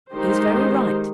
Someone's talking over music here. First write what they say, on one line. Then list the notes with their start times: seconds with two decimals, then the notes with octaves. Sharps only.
He's very right.
0.12 D#3 G#3 D#4 G4 C5